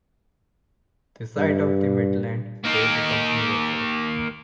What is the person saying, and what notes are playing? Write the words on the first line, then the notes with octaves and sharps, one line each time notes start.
The site of the Midland Railway Company Workshops.
G2
A#3 D#4